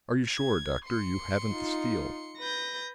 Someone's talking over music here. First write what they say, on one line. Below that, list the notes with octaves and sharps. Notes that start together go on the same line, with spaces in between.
"Are you sure, Doctor, you haven't the steel?"
G#6
C6 C#7
D#4 F4
B4 G6 A#6